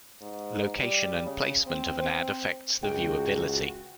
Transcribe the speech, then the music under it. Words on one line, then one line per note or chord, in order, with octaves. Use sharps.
Location and placement of an ad affects the viewabilty.
G#2
G3
C#3
C4
C4
C#2 F#4 G#4 G5